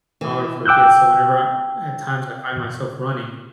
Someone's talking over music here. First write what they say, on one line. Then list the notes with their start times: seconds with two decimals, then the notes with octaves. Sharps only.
I'll ever forget. So whenever I at times I find myself running,
0.21 E3
0.66 G5 D6 E6 F#6 G6